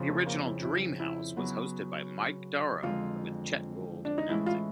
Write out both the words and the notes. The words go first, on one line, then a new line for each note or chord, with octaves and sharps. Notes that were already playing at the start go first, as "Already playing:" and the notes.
The original "Dream House" was hosted by Mike Darow with Chet Gould announcing.
Already playing: F2 C#3 F3
A3
A#3
E4
E4
E4
C#3 F#3 B3
F2 D3 F3 G#3 F4
D4
D#4
A2 E3 G#3 C#4 E4
F4